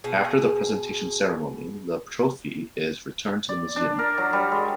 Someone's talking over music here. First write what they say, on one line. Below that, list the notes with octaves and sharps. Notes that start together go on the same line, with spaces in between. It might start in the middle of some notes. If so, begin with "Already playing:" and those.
After the presentation ceremony, the trophy is returned to the museum.
B2 G#4
D5
D4
A#4
F#3
G3
G#3